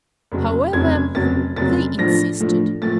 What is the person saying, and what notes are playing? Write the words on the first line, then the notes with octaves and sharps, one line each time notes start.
However, they insisted.
F1 F2 C#3 F#3
F1 F2 C#3 F#3 G#6
F1 F2 C#3 F#3 A6
F1 F2 C#3 F#3 A6
A2 F3 A3 D4 A#6
A2 F3 A3 D4
A2 F3 A3 A6